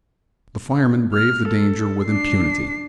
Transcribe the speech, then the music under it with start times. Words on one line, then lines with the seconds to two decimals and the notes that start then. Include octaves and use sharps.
The firemen braved the danger with impunity.
1.14 F6
1.48 A4
2.05 D4 C7